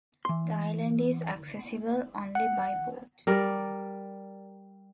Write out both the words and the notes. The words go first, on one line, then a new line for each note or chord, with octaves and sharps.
The island is accessible only by boat.
E3 C6
F#5
G3 A#4 D5